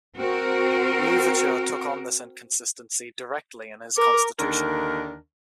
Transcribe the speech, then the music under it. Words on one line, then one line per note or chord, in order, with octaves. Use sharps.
Louverture took on this inconsistency directly in his constitution.
C4 F#4 A#4
A#4 D6
D#2 D3 D#3 D4 A#4